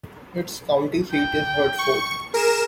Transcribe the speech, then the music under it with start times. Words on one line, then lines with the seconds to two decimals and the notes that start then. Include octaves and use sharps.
Its county seat is Hertford.
1.12 G5
1.78 C#6
2.34 G#4 A#4 E7